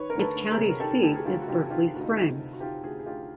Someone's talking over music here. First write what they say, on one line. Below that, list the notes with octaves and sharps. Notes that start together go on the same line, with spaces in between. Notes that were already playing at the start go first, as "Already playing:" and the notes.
Its county seat is Berkeley Springs.
Already playing: D#3 B4 C#5
D2 A#4
A4 B4
D2
G#4 A#4
C3
A#4
D#3 G4 A4
D2 G4 A4
G#4
D2 F4 G4
F#4
C3 F4 G4
D#3 F4 G4
D2 F#4
D#4 F4
D2
C3
F#4
D#3 F4 G4
D2 F#4 G#4
G#4
D2 F4 G4